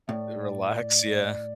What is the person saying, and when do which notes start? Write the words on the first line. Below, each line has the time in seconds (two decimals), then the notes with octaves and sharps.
Relax, yeah.
0.08 A2 D5 E5